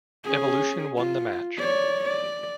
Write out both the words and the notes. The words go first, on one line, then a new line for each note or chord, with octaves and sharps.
Evolution won the match.
C#4 G#4
F4
C#5 D5
D5